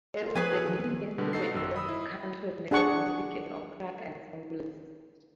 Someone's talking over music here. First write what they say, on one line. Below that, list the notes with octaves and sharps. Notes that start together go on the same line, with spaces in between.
It is the leading instrument of Cantonese music and opera ensembles.
F4
F3 B3 G#4 B4 C#5 G#5
E4 F#4 A4
D#3 F3
B2 D3 G3 B4
D#4 F#4 A4 C7
G#1 F#2 E6
D#5 B5 D#6 E6
E4
D4 G#4 F#5 C#6